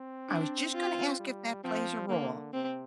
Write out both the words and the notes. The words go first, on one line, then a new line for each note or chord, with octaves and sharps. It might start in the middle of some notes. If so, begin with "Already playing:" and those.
I was just gonna ask if that plays a role.
Already playing: C4
D4
F4
G3
F3 C4
D3 A#3
C3 C4